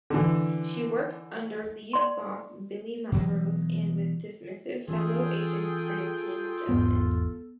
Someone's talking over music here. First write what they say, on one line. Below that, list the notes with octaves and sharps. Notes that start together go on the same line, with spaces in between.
She works under Lee's boss Billy Melrose and with dismissive fellow agent Francine Desmond.
D3 E3
D5 C6
B2 E3 F#3 G#3
E3 C#4 F4 G#4 A4 G5
G#1 E2 G#2 B3